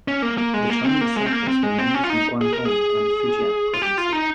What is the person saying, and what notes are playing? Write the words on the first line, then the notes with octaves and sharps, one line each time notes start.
The Chinese settlers were mainly from Guangdong and Fujian provinces.
C#4
A#3
A#3
G#3
A#3
C4
A#3
G#3
C4
A#3
C4
G#3
C4
C#4
F4
D#4
G#4
A#4
G#4
F4
G4
F4
D#4